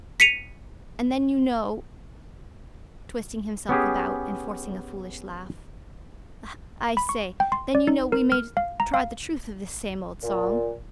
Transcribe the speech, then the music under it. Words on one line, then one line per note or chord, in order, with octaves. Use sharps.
"And then you know"--twisting himself about and forcing a foolish laugh--"I say, then you know, we may try the truth of this same old song."
B6 C#7 D#7 F7
B3 C#4 G4 G#4
B5
C#6
G5
C6
D5
D#4
A#4
F6
F5
A#5
F5
A#2